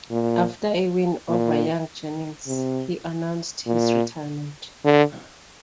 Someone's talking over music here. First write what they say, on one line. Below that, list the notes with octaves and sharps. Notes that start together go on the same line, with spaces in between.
After a win over Young Jennings, he announced his retirement.
A#2
A#2
C3
A#2
D3